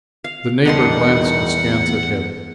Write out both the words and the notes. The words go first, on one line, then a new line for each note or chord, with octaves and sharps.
The neighbour glanced askance at him.
F5
E2 D#3 G3 D4 D#4 D#5 F#5 C6